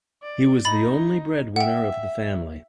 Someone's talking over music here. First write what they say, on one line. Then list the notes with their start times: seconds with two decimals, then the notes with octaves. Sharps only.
He was the only breadwinner of the family.
0.22 D5
0.65 D#4 B5 A6
1.56 E5 F#5 G5